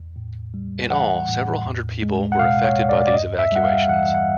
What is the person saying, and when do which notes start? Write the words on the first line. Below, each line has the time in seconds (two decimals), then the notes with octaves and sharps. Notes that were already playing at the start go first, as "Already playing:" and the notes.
In all, several hundred people were affected by these evacuations.
Already playing: E2
0.16 A2
0.54 G3
0.91 E3 F#5
1.28 A2
1.65 E2
2.02 G#3
2.32 F#5
2.39 B2 F5
2.64 C#5
2.78 E2
2.89 D5
3.07 D5
3.14 G2 D#5
3.39 E5
3.52 G3 F#5
3.64 F5
3.89 E3 F#5
4.15 F#5